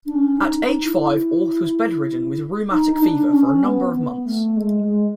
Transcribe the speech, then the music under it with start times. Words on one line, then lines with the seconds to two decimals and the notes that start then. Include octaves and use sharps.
At age five Auth was bedridden with rheumatic fever for a number of months.
0.06 D4
0.15 C#4
0.38 D#4
0.61 D#4
0.84 E4
2.71 D#4
2.90 D#4
3.02 D4
3.33 C#4
3.63 B3
3.95 B3
4.26 A3
4.57 G#3
4.80 G#3